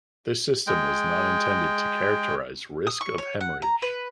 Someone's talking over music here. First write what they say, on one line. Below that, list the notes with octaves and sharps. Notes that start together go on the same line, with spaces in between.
This system was not intended to characterize risk of hemorrhage.
G#3 G5
D#6
C#6
C#5
F#5
A#5
B4